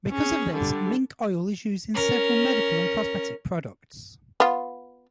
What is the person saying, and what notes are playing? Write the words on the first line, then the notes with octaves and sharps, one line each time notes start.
Because of this, mink oil is used in several medical and cosmetic products.
C#4 G#4
D3 G3
C#4 A#4
B3 F4